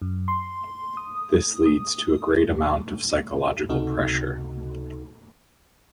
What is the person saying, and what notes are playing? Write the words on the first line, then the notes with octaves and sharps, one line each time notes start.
This leads to a great amount of psychological pressure.
F#2
C6
D#6
D#6
C#2 C3 D#4 F#4 A4